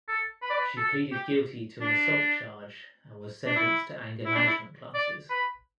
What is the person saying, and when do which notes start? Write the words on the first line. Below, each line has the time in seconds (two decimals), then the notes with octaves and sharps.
She pleaded guilty to an assault charge and was sentenced to anger management classes.
0.08 A4
0.42 B4
0.50 D5
0.57 B4
0.77 A4
1.12 G4
1.81 D4
3.46 D4
3.55 E4
4.25 E4
4.35 D4
4.47 E4
4.95 D5
5.30 B4